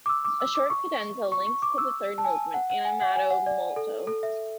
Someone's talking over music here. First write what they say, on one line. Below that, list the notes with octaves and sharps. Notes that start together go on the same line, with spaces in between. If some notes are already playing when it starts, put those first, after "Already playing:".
A short cadenza links to the third movement, "Animato molto".
D6
E6
D6
E6
D6
C#6
C#6
C#6
D6
E6
A5
G#5
F#5
F#5
G#5
F#5
G#5
F#5
D5
A4
A4
E5